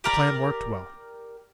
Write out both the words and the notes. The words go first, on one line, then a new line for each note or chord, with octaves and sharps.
The plan worked well.
G4 A#4 D5